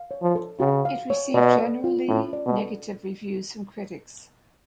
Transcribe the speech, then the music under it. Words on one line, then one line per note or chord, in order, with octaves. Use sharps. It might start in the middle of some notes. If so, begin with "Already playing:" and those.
It received generally negative reviews from critics.
Already playing: F5
C#5
F3
A4
C#3 F#4
F5
C#5
B2 D5
A4
F4
A2 C#4
D5
B2
A4